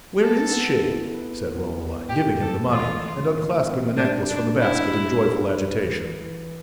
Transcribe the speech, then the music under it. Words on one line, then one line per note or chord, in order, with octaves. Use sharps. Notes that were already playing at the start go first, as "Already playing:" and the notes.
"Where is she?" said Romola, giving him the money, and unclasping the necklace from the basket in joyful agitation.
B3 A4
B3
E4
B4
B3
B3
A2 G4
C4 A4
E3 F4
A3
A2
C4
G3 D4
D4 B4
D4 E4
G4
G3
B4
E3
E3